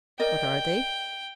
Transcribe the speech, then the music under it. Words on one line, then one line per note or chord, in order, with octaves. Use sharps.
What are they?
A#4 D5 D#5 G5